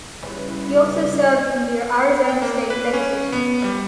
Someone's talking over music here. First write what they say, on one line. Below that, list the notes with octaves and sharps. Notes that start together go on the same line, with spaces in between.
He also served in the Arizona State Legislature.
C#3 G3 C#4 E4 B4
G5
A#3
B4
C#4
B3
G3